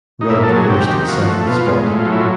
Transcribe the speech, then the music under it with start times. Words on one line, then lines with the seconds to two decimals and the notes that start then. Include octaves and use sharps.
Rudd finished in second spot.
0.21 D#4
0.30 A#2 E4
0.43 A4
0.49 F#3
0.56 G#4
0.69 C3 G4
0.88 D#3
1.08 F3 F#4
1.27 A3
1.47 B2 F4
1.66 G#3
1.86 A2
1.99 F4
2.06 F#3
2.12 E4
2.20 F4